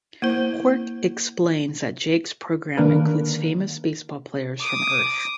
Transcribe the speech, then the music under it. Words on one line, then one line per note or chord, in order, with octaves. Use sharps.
Quark explains that Jake's program includes famous baseball players from Earth.
A#3 E4 C5
D3 D#3 A#3 D4 A#4 B4
D6 D#6